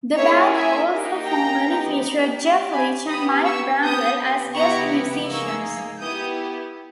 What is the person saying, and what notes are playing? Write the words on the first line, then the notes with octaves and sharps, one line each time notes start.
The band also formerly featured Jeff Leach and Mike Bramwell as guest musicians.
A#3 C#4 E4 G#4 C#5 E5
E5 G#5
A#3 D#4 G4
G5 A#5
B3 D#4 G4
C#4 G4
G#5 B5
B3 G4 B5 D#6
C#6 E6
B3 G4 D#6 G6
B3 E4 G4 A#5 C#6
A#3 D#4 G#4 C#6 E6
B3 E4 G4 D#6 G6